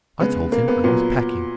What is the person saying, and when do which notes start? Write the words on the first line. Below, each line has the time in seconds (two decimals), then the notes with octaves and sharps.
I told him I was packing.
0.20 C#3 G#3 B3
0.52 A#3
0.68 B3
0.84 A#2 F#3 B3